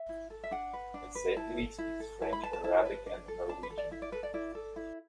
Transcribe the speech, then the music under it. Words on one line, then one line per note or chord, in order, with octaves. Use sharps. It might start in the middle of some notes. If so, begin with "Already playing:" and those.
Essediri speaks French, Arabic and Norwegian.
Already playing: E5
E4
A4
E5
D4 F#5
B4
D4
B4
E4 A5
A4
E4
A4
E4 A5
B5
B4 A5
A5
E4 A5
B4
D4
A4
D4 A5
B4
A4
D5
E4 E5
D5
A4 B4
D5
E4 D5
A4
E4